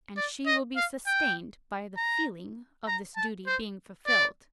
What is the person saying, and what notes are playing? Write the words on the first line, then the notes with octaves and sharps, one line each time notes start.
And she will be sustained by the feeling of this duty being fulfilled.
D5
D#5
F5
G5
A#5
A#5
A5
C5
D5